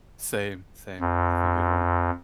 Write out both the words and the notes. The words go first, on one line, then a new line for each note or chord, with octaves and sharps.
Same, same. Have a good one.
F2